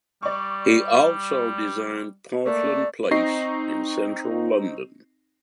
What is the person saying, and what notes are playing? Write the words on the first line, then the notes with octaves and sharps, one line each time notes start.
He also designed Portland Place in central London.
G3 D5 C#6
A3 A#3 D5
C4 D#4 D#5 C#6 A#6 C7